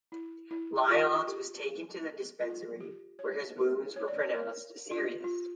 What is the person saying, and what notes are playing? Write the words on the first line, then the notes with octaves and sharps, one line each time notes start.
Lyons was taken to the Dispensary, where his wounds were pronounced serious.
E4
E4
G4
F4
G4
F4
G4
C#5
A#4
C#5
D5
C#5
A#4
F4
G4
F4